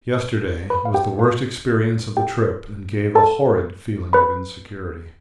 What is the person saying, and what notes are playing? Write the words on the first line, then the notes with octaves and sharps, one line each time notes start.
Yesterday was the worst experience of the trip and gave a horrid feeling of insecurity.
B4 B5
F5
G4 G5
F4 F5
G4 G5
A4 A5
B4 B5